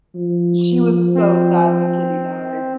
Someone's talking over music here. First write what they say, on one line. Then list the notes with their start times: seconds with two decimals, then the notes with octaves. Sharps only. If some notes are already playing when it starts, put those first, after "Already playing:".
She was so sad when Kitty died.
0.15 F3
1.15 C4